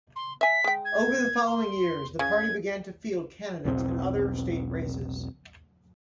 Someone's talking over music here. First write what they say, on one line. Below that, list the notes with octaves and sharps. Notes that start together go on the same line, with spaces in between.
Over the following years, the party began to field candidates in other state races.
C6
E5 G#5 B6
G#3 G5
G#6
C6
C#3 G#6
B1 E2 B2 C4